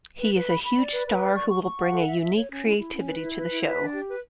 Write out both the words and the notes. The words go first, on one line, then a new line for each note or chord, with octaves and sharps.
He is a huge star who will bring a unique creativity to the show.
B4
B4
B5
B5
D5
B4
B4
D5
C#6
C#6
C#6
F#5
A4
E5
E5
C#5
C#4
E4
E4
C#4
B4
E4
B4
E4
B4
D4
G4
B4